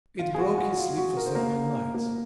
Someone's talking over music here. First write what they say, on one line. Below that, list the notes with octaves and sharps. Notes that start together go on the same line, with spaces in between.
It broke his sleep for several nights.
F4
G#4
F#4
F#4
F4
F#4
A#4
C5
A#3 A#4
A#3 A#4